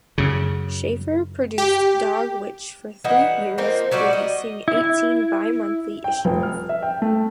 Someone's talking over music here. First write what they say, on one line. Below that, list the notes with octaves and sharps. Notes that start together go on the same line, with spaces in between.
Schaffer produced Dogwitch for three years, releasing eighteen bi-monthly issues.
F#2 C#3
G4
E3 G3 D#4 F#5
F3 A#3 C4 D#4
F#3 G3 F#4 D5
D#5
E4
G5
F1
F6
E5
G5
A3